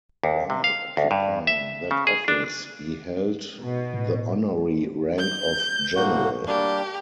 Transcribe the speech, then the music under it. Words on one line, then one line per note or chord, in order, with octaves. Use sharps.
While occupying that office, he held the honorary rank of general.
D#2
C3
F5
D2
G2
E5
C#3
G#4
D4
B2
A2
G6
A2 A#3 F#4
G3 A#3 D4 G4